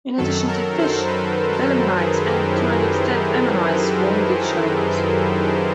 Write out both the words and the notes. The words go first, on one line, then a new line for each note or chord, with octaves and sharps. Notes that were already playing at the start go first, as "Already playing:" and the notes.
In addition to fish, belemnites and to an extent ammonites swarmed in shoals.
F#2 D#3 F#3 A4
A#4
C5
B4
A4
G#4
G4
E4